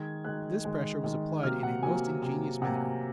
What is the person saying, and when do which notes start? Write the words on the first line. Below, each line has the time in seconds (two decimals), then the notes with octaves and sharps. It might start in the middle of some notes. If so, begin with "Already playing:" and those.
This pressure was applied in a most ingenious manner.
Already playing: D#3 G#3 G#6
0.25 D#3 G#3 F#6
0.65 D#3 G#3
1.04 D#3 G#3
1.43 C3 F#3 A#3 F6
1.63 F#5
1.83 C3 F#3 A#3 G#5
2.22 C3 F#3 A#3
2.62 C3 F#3 A#3 F#5